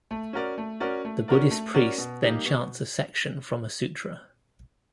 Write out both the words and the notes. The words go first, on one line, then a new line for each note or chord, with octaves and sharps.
The Buddhist priest then chants a section from a sutra.
A3
C#4 F#4 A#4 D5
A3
C#4 F#4 A#4 D5
A3
C#4 F#4 A#4 D5
A3
C#4 F#4 A#4 D5
B2
G3 A#3 D#4 G4
B2